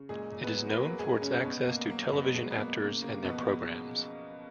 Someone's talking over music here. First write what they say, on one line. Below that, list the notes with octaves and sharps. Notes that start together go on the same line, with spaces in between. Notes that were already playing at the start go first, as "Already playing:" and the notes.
It is known for its access to television actors and their programmes.
Already playing: C#3
A#2 G#3 G#4
A#2
B3 B4
F#3
B4
F#3 A#3 A#4
A#2 G#3 G#4
A#2 C#3 C#4
B2 B3
B2 A#3
F#3 A#3
B2 F#3 B3
B2 G#3
B3
B2 A#3
C#3 A#3
C#3 A#3
B2 F3 B3